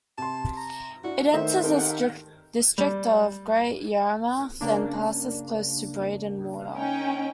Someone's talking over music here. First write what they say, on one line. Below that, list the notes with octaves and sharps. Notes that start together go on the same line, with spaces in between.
It enters the district of Great Yarmouth, then passes close to Breydon Water.
C3 A5 C6
A#5
D4 E4 F#4
D#3 A3 C5 D5 E5
C4 G4 A4 A#4
G3
C#3 A#3 D4
C#4 D#4 G5